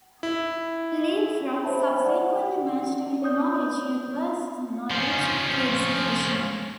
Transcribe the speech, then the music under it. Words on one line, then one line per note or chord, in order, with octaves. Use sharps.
LeapFrog subsequently merged with Knowledge Universe's Knowledge Kids division.
E4
C5 C#5 E5 A5 B5
D5 F#5
C#5 D5 D#6 G6
F3 C#4